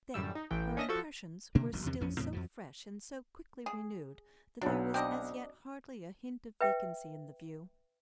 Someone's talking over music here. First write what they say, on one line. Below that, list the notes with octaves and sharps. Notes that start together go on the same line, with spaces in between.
Then her impressions were still so fresh and so quickly renewed that there was as yet hardly a hint of vacancy in the view.
F#2 A2 G3 E6
D#4
A1 E3 G5
C#4 D4 D#5 E5 A#6
F3 F#4 A4 C#6
B2 D3 A#3 D4
D#1 B1 F2
E2 G2 C3 D#3
A1 F2 F3 C#4
E2 A2 C#3 C4
F2 F3 F#3
G#4
B1 F#3 D4
C4 D4 D#5
B4 E5 G5